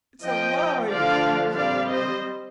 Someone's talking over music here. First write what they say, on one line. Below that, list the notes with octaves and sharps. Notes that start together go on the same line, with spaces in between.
'It's a lie!' said Oliver.
F3 C4 D#5 G5
D3 F3 A3 D4 D5 F5
G3 C4 D5 F5
C5 D#5